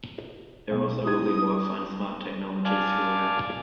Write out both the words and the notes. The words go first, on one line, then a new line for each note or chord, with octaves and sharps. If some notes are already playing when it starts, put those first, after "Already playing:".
There also will be Wi-Fi and smart technology throughout.
B1
E4 G4 D#6 G#6
D5 F5 G#5 A5